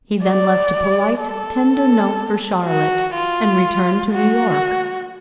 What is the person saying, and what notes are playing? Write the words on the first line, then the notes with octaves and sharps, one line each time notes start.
He then left a polite, tender note for Charlotte, and returned to New-York.
D5
A4
F#4
F4
F#4